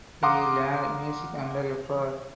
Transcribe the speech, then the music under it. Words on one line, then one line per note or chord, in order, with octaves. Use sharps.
He learned music under Fr.
F5 F#5 A#5 C6 D6 D#6